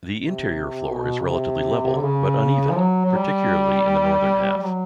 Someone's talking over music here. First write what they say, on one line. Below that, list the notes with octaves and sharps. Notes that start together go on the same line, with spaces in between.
The interior floor is relatively level, but uneven, particularly in the northern half.
C3
B2
C#3
C3
D3
C#3
F3
F#3
F#3
G3
G3
F#3